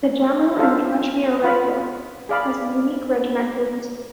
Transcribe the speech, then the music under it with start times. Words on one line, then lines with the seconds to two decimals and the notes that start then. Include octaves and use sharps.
The Jammu and Kashmir Rifles has a unique regimental history.
0.58 D4 F4 A4 C5 F5
1.44 F4 B4 F5 B5
2.29 G#4 D5 F5 B5